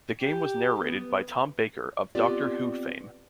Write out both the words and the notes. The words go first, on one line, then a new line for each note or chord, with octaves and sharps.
The game was narrated by Tom Baker of "Doctor Who" fame.
G4
B3
B3 C4 F4 G4 D5